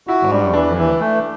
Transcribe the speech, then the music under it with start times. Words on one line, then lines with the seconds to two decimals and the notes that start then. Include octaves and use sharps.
Oh, man.
0.07 E4 F#4
0.31 G3 D4
0.53 E3 D4
0.77 E3
1.00 A3